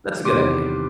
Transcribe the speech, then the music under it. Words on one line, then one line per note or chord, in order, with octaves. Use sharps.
That's a good idea.
E2 C3 D#3 G3 B3 C6 D6